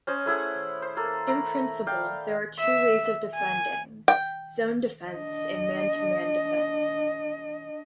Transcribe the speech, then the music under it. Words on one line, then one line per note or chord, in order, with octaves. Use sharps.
In principle, there are two ways of defending, zone defence and man-to-man defense.
C#4 C5 D#5
A3 E4 G#4 F#5
C5
A#3 A4
A3 A#5 B5
D5 F5 G5
E5
G#5
G5
D4 D#5